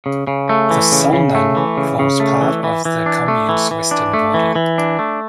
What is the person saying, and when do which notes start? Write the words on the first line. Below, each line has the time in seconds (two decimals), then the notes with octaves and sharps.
The Solnan forms part of the commune's western border.
0.06 C#3
0.27 C#3
0.49 A3
0.71 E3
0.92 C#3
1.13 C#3
1.35 A3
1.57 E3
1.77 C#3
1.99 C#3
2.20 A3
2.41 E3
2.64 E3
2.85 E3
3.06 D4
3.28 A3
3.49 E3
3.71 E3
3.91 D4
4.14 A3
4.34 E3
4.56 E3
4.78 D4
4.99 A3